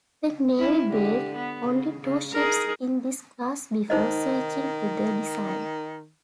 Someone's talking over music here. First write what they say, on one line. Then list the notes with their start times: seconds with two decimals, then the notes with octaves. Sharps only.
The Navy built only two ships in this class before switching to the design.
0.59 C#4 E4
0.88 D3 G4
1.35 B3
1.64 C#3
2.02 C#3
2.33 D#4 G#4 A#4
3.90 D#3 D#4 C5 D#5